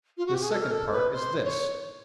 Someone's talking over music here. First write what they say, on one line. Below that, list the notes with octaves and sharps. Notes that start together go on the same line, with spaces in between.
The second part is this.
F4
F#4
G4
G#4
A4
A#4
A4
B4
C5
C#5